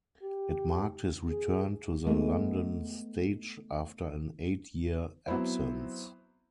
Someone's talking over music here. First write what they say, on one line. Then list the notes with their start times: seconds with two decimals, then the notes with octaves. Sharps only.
It marked his return to the London stage after an eight year absence.
0.22 G4
1.29 G#4
2.07 G#3 A3 B3
5.27 F#3 B3 C4 E4 C5